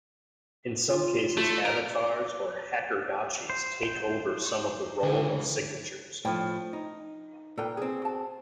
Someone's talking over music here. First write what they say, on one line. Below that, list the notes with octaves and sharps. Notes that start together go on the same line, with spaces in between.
In some cases avatars or hackergotchis take over some of the role of signatures.
F4
A3
A#4 D7
C5
C#2 D3 E3
A2 F3 D4 G5
D#4
A#2 A4 B4 G5 A#5
C4 G#4
F#4 A5